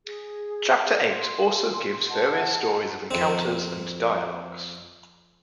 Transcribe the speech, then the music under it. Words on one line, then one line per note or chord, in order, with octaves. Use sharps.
Chapter Eight also gives various stories of encounters and dialogues.
G#4
C6
D#5 F#5 A5
F2 C4